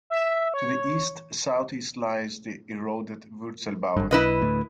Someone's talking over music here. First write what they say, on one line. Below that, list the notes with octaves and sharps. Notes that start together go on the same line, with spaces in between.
To the east-southeast lies the eroded Wurzelbauer.
E5
C#5
G#1 G2
B1 E4 B4 D#5
D2 A2